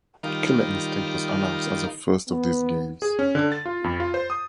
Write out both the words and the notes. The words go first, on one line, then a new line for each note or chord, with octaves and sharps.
"Killer Instinct" was announced as the first of these games.
D#3 G3 D#4 F4 A#4
B3
G#4
C#4
D3
A6
F4
F2
F4
C5
D#6